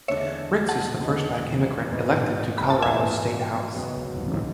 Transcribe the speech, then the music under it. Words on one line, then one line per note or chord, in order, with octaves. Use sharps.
Ricks is the first Black immigrant elected to Colorado’s Statehouse.
E2 D3 G#3 D4 C#5 E5
F#5 A5
E2 D3 G#3 D4
G#2 E3 B3
B5
A5
G#2 E3 B3 E5 G#5
C#2 B2 F#3 B3